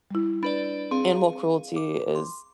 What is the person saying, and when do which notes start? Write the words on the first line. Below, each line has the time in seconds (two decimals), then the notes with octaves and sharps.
animal cruelty is
0.11 G3 E4
0.43 D4 B4 D5 B5
0.91 C4 G#4 F5
1.76 D6
2.15 C6